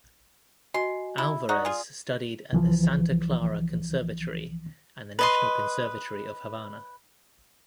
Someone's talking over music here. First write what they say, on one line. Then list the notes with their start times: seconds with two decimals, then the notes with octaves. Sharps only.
Alvarez studied at the Santa Clara Conservatory and the National Conservatory of Havana.
0.74 F#4 D#5 G#5 C6
1.18 E4
1.49 D#4 F#4 D5 D#6
1.65 F4 G#4
2.53 C2 E3 F3
5.19 B4 D#5 C6